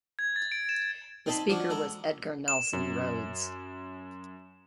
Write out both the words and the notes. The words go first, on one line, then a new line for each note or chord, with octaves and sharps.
The Speaker was Edgar Nelson Rhodes.
G#6
A6
D7
E7
C4 D#4 D#5 A5 B5 C6
F3 F#3 D4 F#4
G#3 A4 A#5
E7
F#2